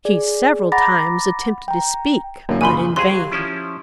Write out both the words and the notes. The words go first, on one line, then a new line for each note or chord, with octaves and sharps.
She several times attempted to speak; but in vain.
G#4 D5
F#5 A#5 B5 D6 A6 A#6
G5 A#5
F#2 D3 A#3 E4
A#1 A#2 C#3 G#5 B5 C6
F#3 G4 G#4 C5 F5 C6
F3 C#4 E4